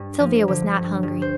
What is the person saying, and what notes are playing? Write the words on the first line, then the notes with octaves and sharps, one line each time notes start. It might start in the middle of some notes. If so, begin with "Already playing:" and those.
Sylvia was not hungry.
Already playing: G2
F3
D3
G2
G2
C5